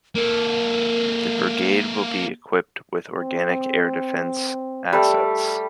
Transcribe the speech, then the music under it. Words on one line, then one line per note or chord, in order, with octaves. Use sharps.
The brigade will be equipped with organic air defence assets.
A#3 A4 A#4
C4
G3 A3